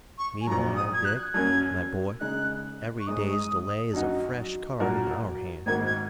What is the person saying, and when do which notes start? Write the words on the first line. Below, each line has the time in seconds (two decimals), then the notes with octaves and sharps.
Meanwhile, Dick, my boy, every day's delay is a fresh card in our hand.
0.18 C#6
0.41 G#5
0.47 A#1 A#2 F#3 A#5
0.76 D#6
0.93 G#6
1.05 F#6
1.34 F#2 F#3 A#3 C#4 G#6
2.20 C#3 G#3 D#4 F#6
3.00 C#6
3.07 G#2 G#3 D#4 D#6
3.94 F#2 F#3 D#4 F#4
4.80 A#2 F#3 A#3 F#4 A#4
5.66 G#1 G#2 D#3 A#3 F#4 G#6
5.86 G#6